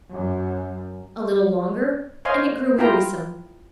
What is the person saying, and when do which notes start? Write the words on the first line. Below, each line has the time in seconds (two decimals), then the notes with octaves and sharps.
A little longer, and it grew wearisome.
0.12 F#2
2.25 C5 C#5 D#5 F5 G#5 C6
2.78 E4 F4 G5 A#5